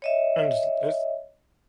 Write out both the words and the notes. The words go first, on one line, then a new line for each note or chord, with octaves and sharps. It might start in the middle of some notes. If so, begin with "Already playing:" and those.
And it's
C#5 D#5 E5